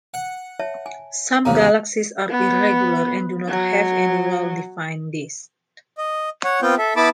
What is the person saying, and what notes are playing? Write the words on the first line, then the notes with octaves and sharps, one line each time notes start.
Some galaxies are irregular and do not have any well-defined disk.
F#5
C#5 E5 A5
G#5
E2 G2 C#3 C5 F5 A#5
B3
F#3
D#5
C#5 F#5
B3 C4 F4 G5
A4 E5
B3 E4 A5 B5 D6